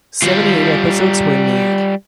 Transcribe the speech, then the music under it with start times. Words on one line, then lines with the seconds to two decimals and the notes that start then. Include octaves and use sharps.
Seventy-eight episodes were made.
0.22 G3 F4